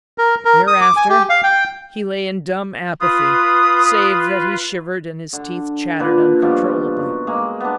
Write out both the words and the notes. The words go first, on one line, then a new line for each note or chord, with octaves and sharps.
Thereafter he lay in dumb apathy, save that he shivered and his teeth chattered uncontrollably.
A#4
A#4
D#6
D6
G#5
G4
F5
G5
F4 B4 D#6
D3
A#2 D3 B4
B2 F3 G3 F4
F#2
G#3 A#3
B3 D4